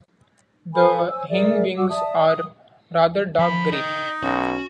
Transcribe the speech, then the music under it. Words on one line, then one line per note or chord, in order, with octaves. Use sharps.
The hindwings are rather dark grey.
A4 B4 G#5 B5
C5 C#5 G#5 E6
G#4 A#4 D5 E5
F#4 F#5 D6 E6
D5 E5 A5 D#6
D#6
F3 B5
D#4 D#5 G5
B1 C#4 F#4